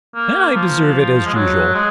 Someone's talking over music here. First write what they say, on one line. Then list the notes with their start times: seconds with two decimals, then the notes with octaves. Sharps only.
And I deserve it, as usual!
0.15 A#3
0.55 F3
1.26 G#3
1.34 F#3
1.75 G#3